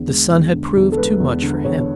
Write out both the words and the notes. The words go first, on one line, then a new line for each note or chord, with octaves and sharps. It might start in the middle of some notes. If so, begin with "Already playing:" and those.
The sun had proved too much for him.
Already playing: E2 D3
G#3
E2
D3
E2
A4
G#3 B4
E2
D3
E2 C#5